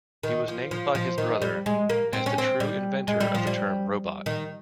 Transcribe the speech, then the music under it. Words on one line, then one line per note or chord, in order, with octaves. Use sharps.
He was named by his brother as the true inventor of the term "robot".
D#3
F3
F3
F3
D#3
G3
G#3
A#3
C4
C#4
C4
G3
G#3
G3
F3
G3
D#3